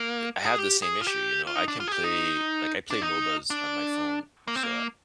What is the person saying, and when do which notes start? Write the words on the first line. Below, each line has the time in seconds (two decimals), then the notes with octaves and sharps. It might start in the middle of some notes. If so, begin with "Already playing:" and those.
i I have the same issue, you know, I can play like, I play MOBAs on my phone, so,
Already playing: A#3
0.46 G#4
0.58 G4
0.82 G#4
1.01 F4
1.07 G4
1.47 F4
1.55 D#4
1.68 D4
1.80 F4
1.87 G#4
1.92 G4
2.04 D#4
2.91 D4
3.02 D#4
3.50 D4
4.48 A#3
4.56 C4
4.63 A#3